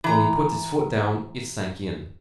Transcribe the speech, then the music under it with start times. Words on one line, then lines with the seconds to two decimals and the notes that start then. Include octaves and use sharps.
When he put his foot down it sank in.
0.04 E3 A#5